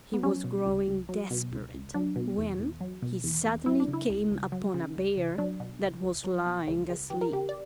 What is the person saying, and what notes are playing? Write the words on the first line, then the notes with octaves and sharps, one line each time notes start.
He was growing desperate, when he suddenly came upon a bear that was lying asleep.
B3
F#3 C#4
B2
C#2
C#2
F#3
B2
C#2
C#2
F#3 D4
B2
E2
E2
F#3
B2
E2
E2
F#3 E4
D4
C#3
E4
C#2
C#2
F#3
C#3
C#2
C#2
F#3 D4
B2
C#2
C#2
F#3
B2
C#2
C#2
E3 G4
A#4
C#3 G4
D5